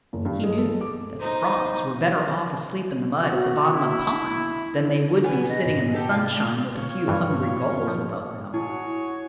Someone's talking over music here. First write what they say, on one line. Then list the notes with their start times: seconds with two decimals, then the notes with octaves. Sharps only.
He knew that the Frogs were better off asleep in the mud at the bottom of the pond, than they would be sitting in the sunshine with a few hungry Gulls above them.
0.13 F#1
0.25 G2
0.44 G#3
0.58 A4
0.81 D6
1.20 D#4 C5
3.23 F#4
3.70 E4
5.24 B3 G#5
5.49 D#5
5.66 G#2 C3
5.94 G4 A4 A5
6.10 F4 D5
6.76 F4 C#5
7.08 G2 E3
7.88 F3
8.54 E4 F#4 G#4 C#5